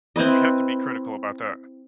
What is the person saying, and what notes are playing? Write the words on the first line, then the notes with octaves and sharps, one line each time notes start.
you have to be critical about that.
C4 E4 B4 D#5